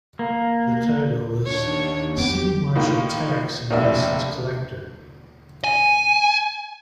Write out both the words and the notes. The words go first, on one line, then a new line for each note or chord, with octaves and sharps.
The title was City Marshal, Tax and Licence Collector.
A#3
D#2 D4 C#5
F2 B3 G4 D6
A2 D#3 A#3 F4
F1 A2 A#3 D4 E5
G#5